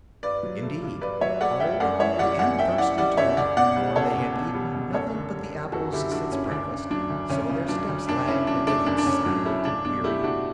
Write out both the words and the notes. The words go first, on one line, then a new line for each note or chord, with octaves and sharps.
Indeed, all were hungry, and thirsty, too; for they had eaten nothing but the apples since breakfast; so their steps lagged and they grew silent and weary.
G2 B4 D5
F#3
A3
G2
G2 B4 D5
F#3 C#5 E5
A3 D5 F#5
G2 E5 G5
F#2 D5 F#5
E3 C#5 E5
G3 D5 F#5
F#2 D5 F#5
F#2 E5 G5
E3 D5 F#5
G3 D5 F#5
F#2 C#5 E5
C#2 D5 F#5
B2 D5 F#5
G3
C#2 A4 C#5
C#2
B2
G3
C#2
F#2 A4 C#5
D3
G3
F#2
F#2 F#4 A4
D3 E4 G4
G3 D4 F#4
F#2 C#4 E4
C#4
D2 D4
C#3
F#3 D4
D2
D2 C#4
C#3
F#3 D4
D2
F#2 D4
C#3 C#4 E4
F#3 D4
A3 D4
F#2 D4
D4
C#3 C#4
F#3 D4
A3 C#4 E4
C#2 D4
B2 D4
A3 E4 G4
C#2 D4 F#4